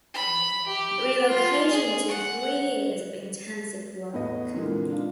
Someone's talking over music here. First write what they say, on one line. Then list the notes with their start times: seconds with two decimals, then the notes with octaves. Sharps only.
The relocation took three years of intensive work.
0.14 B5
0.67 G4
1.29 F4
1.71 G#4
2.08 F#5
4.13 E2 A2 B3 D#5
4.54 F2 A#2 D3 E3 G#3 A#3
4.89 D4 D#4 F4